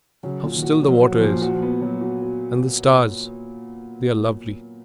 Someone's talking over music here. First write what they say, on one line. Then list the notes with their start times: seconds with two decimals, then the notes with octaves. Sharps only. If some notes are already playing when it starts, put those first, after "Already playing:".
"How still the water is; and the stars, they are lovely!"
0.23 C#3 F#3
0.43 A#2
0.53 D#3
0.62 F#4
0.83 F3 F#3
1.02 F#4
1.13 F3
1.22 A#2
1.42 F#4
1.62 B3
1.81 F#3
2.01 F#4
2.22 F#4